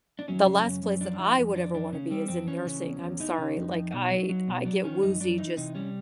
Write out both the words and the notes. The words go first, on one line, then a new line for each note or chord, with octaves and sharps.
the last place that I would ever wanna be is in nursing, I'm sorry, like, I'd I get woozy just
D4
F#3 C#4
C#3
F#2
F#2
F3 D4
D3 E4
F2
F2 D4
E3 D4
C#3 C#4
G3 C4
F2 C4
E3 C#4
C#3
E2
E2
E3 D#4
C#3
F2
F2
B2
F#3
F#3
B2
F#3 D4
D#3 C#4
F#2 D#4
F#2 D4
E3 D#4
C3 D#4
G3 C#4